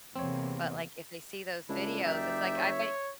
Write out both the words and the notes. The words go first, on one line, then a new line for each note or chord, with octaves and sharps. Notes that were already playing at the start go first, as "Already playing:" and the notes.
But, like, if they see those videos it's like I bet
E2 C3 A#3 C4 C#5
C#2 D4 E4
F#1 D#4 G4 D5 E5
C#5